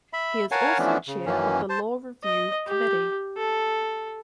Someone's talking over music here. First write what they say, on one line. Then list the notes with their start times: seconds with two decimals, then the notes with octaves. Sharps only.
He is also chair of the law review committee.
0.13 E5 B5
0.51 A#4 C#5 F5 F#5 G#5 A5
0.79 E3 F3 A3 B3 C#4 D4
1.08 C#3
1.26 F#2 D#3 E3 A#3 C#4
1.70 C5 A5
2.23 D#5
2.67 G4
3.37 A4